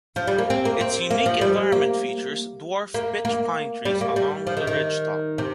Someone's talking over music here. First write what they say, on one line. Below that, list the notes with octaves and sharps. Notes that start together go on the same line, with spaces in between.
Its unique environment features dwarf pitch pine trees along the ridgetop.
F3
G3
A#3
C4
A#3
C4
A#3
F3
G3
A#3
A#3
A#3
G3
A#3
G3
F3
D#3
D#3
C3